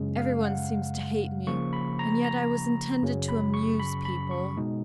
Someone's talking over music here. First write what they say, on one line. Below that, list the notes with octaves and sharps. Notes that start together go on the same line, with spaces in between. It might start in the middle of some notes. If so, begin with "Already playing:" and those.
"Everyone seems to hate me, and yet I was intended to amuse people."
Already playing: F#2 C#3 G#3
F5
F#5
C#3 F3 A#3 C#6
B5
A#5
A#5
F#2 C#3 F#3 C#4
B5
C#6
B5
B5
C#6
B2 G#3 D#4